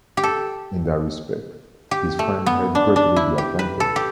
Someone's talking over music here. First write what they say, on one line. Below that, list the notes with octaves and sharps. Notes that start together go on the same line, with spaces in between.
In that respect his friend had greatly the advantage.
G4
A4
G4
A3
B3
D4
D4
E4
G4
B4
A4
G4